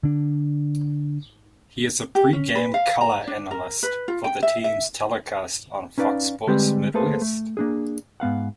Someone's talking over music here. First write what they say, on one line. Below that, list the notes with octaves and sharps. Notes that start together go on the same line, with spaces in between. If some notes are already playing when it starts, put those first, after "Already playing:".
He is a pregame color analyst for the team's telecasts on Fox Sports Midwest.
D3 D4
G4
C#4
B4
F5
A#5
D4
A#4
B4
F4
G5
E5
E5
C#4 D#4 B4 D5 F5
D3 G3 G#3 C4 G4 B4
A3 A#3 G#4 A4 B4 C5
A3
A#3 D4 G#4
G#2 B3 F5 F#5